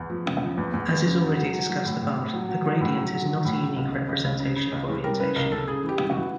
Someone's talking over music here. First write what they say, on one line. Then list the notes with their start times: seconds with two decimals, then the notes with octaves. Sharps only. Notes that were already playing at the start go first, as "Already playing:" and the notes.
As is already discussed above the gradient is not a unique representation of orientation.
Already playing: E2
0.10 F3
0.26 C#3
0.42 F3
0.57 E2
0.74 E2
0.89 E2
1.06 C#3
1.21 F#3
1.37 F#3
1.54 F#3
1.70 F#3
1.85 A2
2.01 A2
2.17 A2
2.34 F#3
2.49 F#3
2.64 F#3
2.80 A2
2.97 F#3
3.13 F#3
3.29 F#3
3.45 A2
3.60 F#3
3.76 C#2
3.92 C#2
4.09 C#2
4.24 C#2
4.40 C#3
4.56 C#3
4.72 C#2
4.88 E3
5.04 G3 A#4
5.20 C#3 B4
5.36 C#2 A#4
5.51 C#3 A4
5.68 C#3 G#4
5.84 E3 G4
6.00 C#3
6.11 F#4
6.16 E3